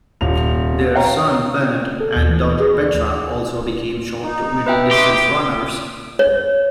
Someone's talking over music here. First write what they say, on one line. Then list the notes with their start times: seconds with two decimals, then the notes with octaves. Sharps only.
Their son Bernd and daughter Petra also became short to middle-distance runners.
0.21 D#1 F7
0.95 C#5 F5 G5 A#5
2.00 A4
2.16 D#2
2.29 E3
2.44 E3
2.60 G#4
2.83 D5
2.94 D2
4.23 D#4
4.66 B4 E5 G5
4.91 G4 C6 D#6 E6
6.19 C#5